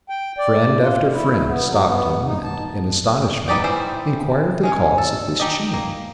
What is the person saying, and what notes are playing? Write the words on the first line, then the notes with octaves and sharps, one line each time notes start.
Friend after friend stopped him, and, in astonishment, inquired the cause of this change.
G5
D5
F4
E4
B3
F#3
B3
D#4
A5
B3 D#4 G4 D5 G5
E3 G3 E4 C5
G#3 C#4 C#5
A4
D#4 G4 D#5
A#3